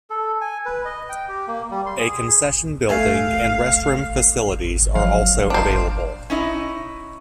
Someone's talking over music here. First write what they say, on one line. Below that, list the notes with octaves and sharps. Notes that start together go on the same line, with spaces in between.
A concession building and restroom facilities are also available.
A4
G#5
B4
D#5
G5
G4
A#3
G3
C6
G#4
A3 F5 G#5
F3 F#3 F5
D4 C5
C#4 D#4 E4 D#5